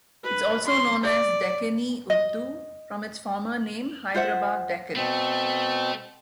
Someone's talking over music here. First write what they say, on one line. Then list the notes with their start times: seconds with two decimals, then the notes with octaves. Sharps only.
It is also known as "Deccani Urdu" from its former name Hyderabad Deccan.
0.23 B4
0.66 C6
1.04 D5
2.10 D#5
4.14 F4 C5 E5 F#5
4.96 B2 A3 C4